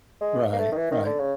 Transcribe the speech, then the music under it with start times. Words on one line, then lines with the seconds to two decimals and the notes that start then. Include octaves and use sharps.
Right. Right.
0.21 G#3
0.53 A#3
0.58 A3
0.72 D#3
0.76 E3
0.91 D#3
1.05 D3
1.19 C#3